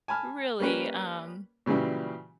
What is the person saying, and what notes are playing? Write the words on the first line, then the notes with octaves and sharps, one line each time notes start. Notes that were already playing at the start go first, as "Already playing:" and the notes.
really, um,
G#5 A5 B5 F6
G3 A#3 C#4 B4
A#2 C#3 E3 F#3 G3